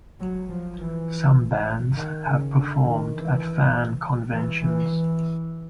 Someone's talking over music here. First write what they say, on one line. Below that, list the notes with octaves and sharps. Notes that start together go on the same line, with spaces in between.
Some bands have performed at fan conventions.
F#3
F3
E3
D#3
C#3
D3
D#3
E3
E3
E3
E3